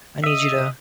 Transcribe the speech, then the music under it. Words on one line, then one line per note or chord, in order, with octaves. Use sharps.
I need you to
D#5 E5